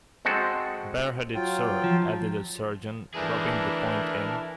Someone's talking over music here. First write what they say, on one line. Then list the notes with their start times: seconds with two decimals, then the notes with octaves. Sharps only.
"Bareheaded, sir," added the sergeant, rubbing the point in.
0.25 G#3 C4 F#4 A4
1.35 F#3 F4 G5
1.84 F3
3.14 E3 A3 D4 E4 G#4 A#4 A5